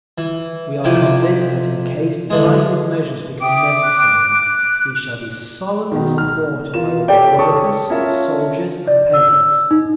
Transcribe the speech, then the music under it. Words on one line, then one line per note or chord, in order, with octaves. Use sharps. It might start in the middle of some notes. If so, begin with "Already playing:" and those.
We are convinced that in case decisive measures become necessary, we shall be solidly supported by all workers, soldiers, and peasants.
E3
F2 C3 E4 D#5 G5 D6
D3 E3 G#3
E5 G5 D6 D#6
F#6
F#6
B2 D#3
F6
E3 F4 A#4 E7
G4 A4 C#5 D5 G5
A4 C#5 A5 C#6 D#6
C#4 F4 A#4 E5 A5
D5
E6
D#4